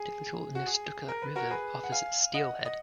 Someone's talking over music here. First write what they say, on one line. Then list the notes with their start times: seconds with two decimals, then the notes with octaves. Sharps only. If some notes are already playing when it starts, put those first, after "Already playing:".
The Little Nestucca River offers steelhead.
Already playing: G#4
0.55 F#4
0.66 G#4
1.08 A#4
1.22 B4
1.36 F#4 A#4
1.50 G#4 B4
1.84 F#5
1.92 F5 G#5
2.34 D#5 F#5
2.65 D#5